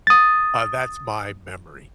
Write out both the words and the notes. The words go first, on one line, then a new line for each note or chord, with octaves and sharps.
uh, that's my memory.
D#6 A6